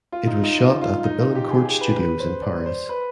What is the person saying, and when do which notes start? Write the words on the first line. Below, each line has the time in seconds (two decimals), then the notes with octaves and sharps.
It was shot at the Billancourt Studios in Paris.
0.12 F4
0.27 D#4
0.43 D#4
0.59 F4
0.81 F4
0.98 F4
1.04 D#4
1.19 F4
1.35 G4
1.51 G#4
1.65 G#4
1.81 B4
1.97 B4
2.20 C5
2.42 D5
2.66 C5
2.89 B4